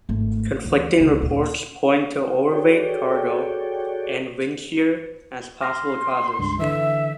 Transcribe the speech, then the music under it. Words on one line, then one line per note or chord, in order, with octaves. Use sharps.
Conflicting reports point to overweight cargo and windshear as possible causes.
G#1 A3
D2 E3
C#2
D2 A#2
F#4 G#4 A4 C#5 D5 G5
C6 F6 A#6
C#2 G2
D3 E3 E5